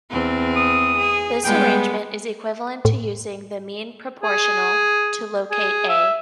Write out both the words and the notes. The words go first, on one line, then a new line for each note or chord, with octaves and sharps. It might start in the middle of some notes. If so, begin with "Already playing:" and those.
This arrangement is equivalent to using the mean proportional to locate "a".
E2 C4
D#6
G#4
G3 G#3 B3 G5
A2
G#4
G#4
E5